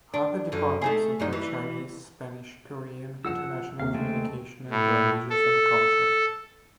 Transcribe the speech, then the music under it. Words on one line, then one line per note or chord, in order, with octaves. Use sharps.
Other departments include Chinese, Spanish, Korean, International Communication, and Languages and Culture.
D4
F#2 D3
A3 D#4 G#4
F#2 G3 D#4
E3
F3 F#5 E6 E7
D#2 C3 F5
G#3 A3 C4
A2
A4